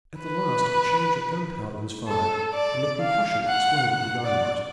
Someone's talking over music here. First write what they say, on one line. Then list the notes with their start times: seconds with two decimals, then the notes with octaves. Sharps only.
At the last a charge of gunpowder was fired, and the concussion exploded the dynamite.
0.20 B4
2.08 A4
2.54 D5
3.00 F5
3.48 F#5
3.94 F#5
4.25 D5